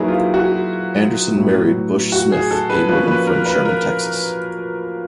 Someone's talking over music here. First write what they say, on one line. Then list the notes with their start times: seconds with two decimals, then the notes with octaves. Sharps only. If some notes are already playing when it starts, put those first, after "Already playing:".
Anderson married Bush Smith, a woman from Sherman, Texas.
Already playing: F#3 A#3 D#4 E4 G#4 B4
0.08 F4
0.34 F#4
1.36 A2 F#3 B3 E4
2.12 F#4
2.32 G#4
2.51 A4
2.70 B4
2.89 F3 A#3 C#4 F#4 B4
3.08 B4
3.27 A#4
3.46 B4
3.65 A#4